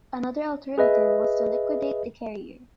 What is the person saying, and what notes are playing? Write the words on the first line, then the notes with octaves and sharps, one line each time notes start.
Another alternative was to liquidate the carrier.
G#4 B4 D#5 E5